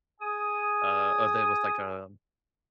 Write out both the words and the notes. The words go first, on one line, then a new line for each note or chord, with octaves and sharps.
uh, of it was like a
G#4 G#5 D#6